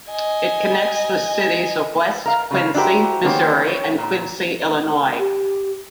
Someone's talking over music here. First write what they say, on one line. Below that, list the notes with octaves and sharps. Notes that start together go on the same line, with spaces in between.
It connects the cities of West Quincy, Missouri and Quincy, Illinois.
D#5 G#5
A#4 F5
C#3 F4 F5
D4 E4 F#4 G4 A#4 C5
D#3 A#3 B3 C#4 G4 C5
C#5
A#2
G4